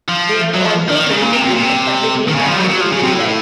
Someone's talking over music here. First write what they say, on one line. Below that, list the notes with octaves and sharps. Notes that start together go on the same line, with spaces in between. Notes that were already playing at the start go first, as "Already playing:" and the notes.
They are also credited with establishing parang in Trinidad.
F3
F#3
F3
D#3
F3
D#3
C#3
A#2
C3
C3
A#2
C3
D#3
C#3
F3
F#3
F#3
F3
C#3
C3
A2